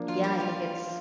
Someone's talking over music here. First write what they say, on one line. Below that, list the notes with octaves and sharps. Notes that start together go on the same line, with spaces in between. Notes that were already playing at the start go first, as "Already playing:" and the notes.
yeah, I think it's
Already playing: F3 A#3 D4
F4
G4
F4